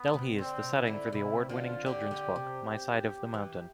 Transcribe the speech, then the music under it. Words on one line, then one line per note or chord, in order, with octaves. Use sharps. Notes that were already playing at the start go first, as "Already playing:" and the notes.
Delhi is the setting for the award-winning children's book "My Side of the Mountain".
Already playing: B3
C3
D3 C4
C3
E4
D3
C3 E4
D3 F4
D3 G4
D3
C3
E3